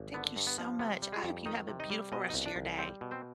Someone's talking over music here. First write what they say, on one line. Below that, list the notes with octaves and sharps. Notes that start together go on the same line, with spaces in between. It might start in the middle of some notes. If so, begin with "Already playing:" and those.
Thank you so much, I hope you have a beautiful rest a your day.
Already playing: G#1
D3 B3
G2
B3
F3
C3 B3
G3
G#3 G#4
F2
D#3 D#4 D#5
C3
D#4 D#5
G3
B2 D#5
D#4 D#5
C2
D4 D5
C2
G3 C4 C5
B2
C4 C5